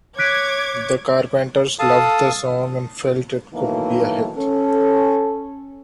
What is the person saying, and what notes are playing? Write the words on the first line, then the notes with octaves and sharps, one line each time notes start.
The Carpenters loved the song and felt it could be a hit.
C#5 D6 F#6 G#6 B6 D7
A4 F5 A5 D#6
B2 D#3 E3 F#3 A3 A#3
C#4 A4